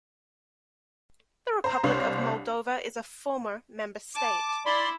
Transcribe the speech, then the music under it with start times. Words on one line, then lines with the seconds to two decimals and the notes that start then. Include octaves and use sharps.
The Republic of Moldova is a former member state.
1.64 C5 A#5
1.83 C2 D4 C5 C#5 F5
4.15 A5 D6
4.66 E4 D5 B5 C6